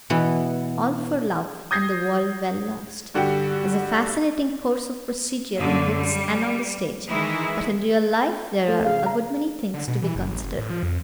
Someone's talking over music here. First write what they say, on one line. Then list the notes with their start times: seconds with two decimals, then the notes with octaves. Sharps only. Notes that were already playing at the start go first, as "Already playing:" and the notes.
"All for love, and the world well lost," is a fascinating course of procedure in books and on the stage, but in real life there are a good many things to be considered.
0.10 B2 E3 B3
1.71 D#6 G6 G#6 A#6 C7
3.14 G2 D3 F#4 G4 G5 C#7
5.57 F#2 D3 A#3
5.97 G3
7.08 D#3 E3 G#3 E4
8.68 A3
8.84 C#3 F5
9.06 A#5
9.74 D3
9.88 B2
10.02 E3
10.15 F#1
10.30 A1
10.42 F#1
10.58 A2
10.70 F3
10.83 F2